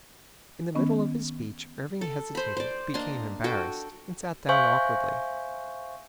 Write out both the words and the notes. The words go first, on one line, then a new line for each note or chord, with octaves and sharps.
In the middle of his speech Irving hesitated, became embarrassed, and sat down awkwardly.
D#3 B3 C#4 D#5
A4
C5 B5
C5 D5
A#3 D4 D#5 C6
F#4 A4 G5
C5 E5 F5 G#5 C#6 G6